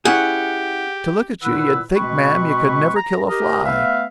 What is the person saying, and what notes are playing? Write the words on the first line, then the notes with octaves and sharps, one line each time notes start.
"To look at you, ye'd think ma'am ye could never kill a fly!"
C#4 E4 G4 G#4 F#5
A#2 D#3 E4 B4 F#5 E6
B2 G#3 C4 B4 B5 C#6
A#5
G4 A#4 D#5
A3 B3 B4 E5 F5